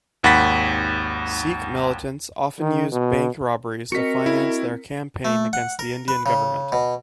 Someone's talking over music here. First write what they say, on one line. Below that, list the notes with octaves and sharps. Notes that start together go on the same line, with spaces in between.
Sikh militants often used bank robberies to finance their campaign against the Indian government.
G#1 D#2 F#5 B5 A6 B6
D#3
B2
C4 F#4 A#4 D#5 B6 C#7
E4
A3
F#5
A#4
B4
C#3
B2